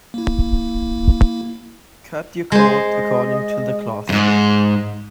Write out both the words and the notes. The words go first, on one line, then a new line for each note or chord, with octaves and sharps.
Cut your coat according to the cloth.
A#3 E4
G#3 C5 D#5
F2 G#2